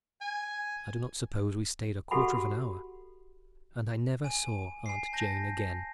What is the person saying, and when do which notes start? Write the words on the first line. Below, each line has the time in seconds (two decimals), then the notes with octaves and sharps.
I do not suppose we stayed a quarter of an hour; and I never saw Aunt Jane again.'
0.21 G#5
2.11 F#4 G4 A4 F#5 B5
4.24 G#5 D#7
4.86 G#5 C7
5.13 A5 G6 A#6